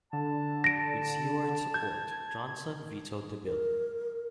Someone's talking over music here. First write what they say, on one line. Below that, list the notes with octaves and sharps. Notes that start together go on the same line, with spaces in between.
With Seward's support, Johnson vetoed the bill.
D3 A5
A#6 D7
G6 G#6
A#4